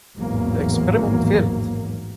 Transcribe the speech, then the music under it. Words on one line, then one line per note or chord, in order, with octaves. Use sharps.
The experiment failed.
A1 E2 G#2 D#3 F#3 A#3